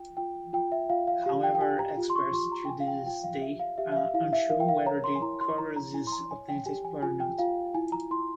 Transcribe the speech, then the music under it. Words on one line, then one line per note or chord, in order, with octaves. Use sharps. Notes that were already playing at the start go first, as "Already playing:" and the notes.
However, experts to this day are unsure whether the kouros is authentic or not.
Already playing: F4 G5
F4 G5
F4 G5
E5
F4 F5
F5
G4 F5
G5
G5
G4 G#5
A#5
F4
C6
C#6
F4 C6
A#5
G5
F4 G#5
F5
G5
F4 G5
F5
G4 E5
F5
G4 E5
E5
F5
E4 F5
E5
A#4 F5
G5
F5
C#5 A#5
C6
G#5
E4 A#5
C6
E4 A#5
A#5
E4 G#5
C6
A#5
C#5 G#5
G5
G4 G#5
G#5
F4 G#5
G5
F4 F5
E4 G#5
A#5
E4 C6